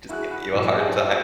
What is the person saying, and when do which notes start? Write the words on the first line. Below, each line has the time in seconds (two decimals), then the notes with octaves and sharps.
just give you a hard time.
0.09 E4 F#4 G#4 F#6
0.31 F#5 B5 F#6
0.54 A#1 E3 F#3 A#3 F#5 E6
0.76 D4 G4 G#4 D5 G#5
1.04 F4 F#4 D5